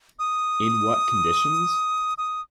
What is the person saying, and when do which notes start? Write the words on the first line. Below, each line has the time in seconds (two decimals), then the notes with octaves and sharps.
In what conditions?
0.19 D#6
2.18 D#6